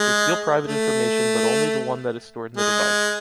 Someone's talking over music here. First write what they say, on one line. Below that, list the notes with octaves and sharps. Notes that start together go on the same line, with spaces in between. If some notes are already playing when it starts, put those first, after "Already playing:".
They steal private information but only the one that is stored in the device.
Already playing: G#3
A3
G#3